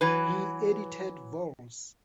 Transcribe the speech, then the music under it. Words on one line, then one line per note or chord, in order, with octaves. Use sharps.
He edited vols.
E3 F#3 B4